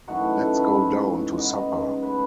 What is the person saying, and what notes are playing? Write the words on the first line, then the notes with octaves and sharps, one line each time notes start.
Let’s go down to supper.
F#2 E3 A3 D#4 F#4
A4
B4
A2 G#3 C#4
C#3 G#3 B3 D#4 D#5
B2 A3 C#4 B4